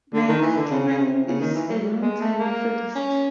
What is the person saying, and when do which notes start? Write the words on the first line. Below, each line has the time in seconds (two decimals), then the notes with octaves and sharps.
McKibben is a long-time Methodist.
0.14 D3
0.28 D#3
0.42 E3
0.57 D3
0.70 C#3
0.88 C#3
0.98 C3
1.27 C#3
1.41 D#3
1.55 E3
1.69 F#3
1.82 G3
2.01 G#3
2.21 A3
2.39 A#3
2.95 C#4